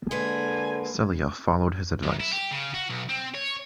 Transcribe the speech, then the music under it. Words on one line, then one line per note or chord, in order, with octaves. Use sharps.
Celia followed his advice.
D3 G#3 A#3 B4 G#5
F#2
E4
G4
C#3
F#4
B1
C4
C#5